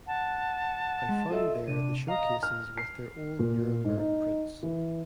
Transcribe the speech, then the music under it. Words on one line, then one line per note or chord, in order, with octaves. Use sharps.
I found there the show-cases with their old Nuremberg prints.
F#5 A5
G#3
F4 A4 D#5 E5
C3 D4 D#7
D#5 F5 A#5
F6
C7
A#2
G#2
D#4
E3